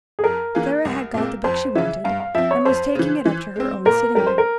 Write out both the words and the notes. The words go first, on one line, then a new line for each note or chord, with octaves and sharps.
Clara had got the book she wanted, and was taking it up to her own sitting-room.
G#4
F2 A#4
E3 A#3 F4 G#4
C2
A#2 G#3 C4
F2 C5
C#3 E3 E5
G2 F5
F5
F3 C4 E5
C#5
F2 C5
C#3 E3
E3
G#3 C4
A#2 A#4
G3 C#4 G4 A#4
C5
A#4